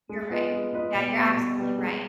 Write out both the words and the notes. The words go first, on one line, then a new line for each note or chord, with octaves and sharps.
You're right. Yeah, you're absolutely right.
G#3
B3 F4 B4 D#5
G#3
B3 F4 B4 D#5
B2
G3 B3
B2
G3 B3
G#3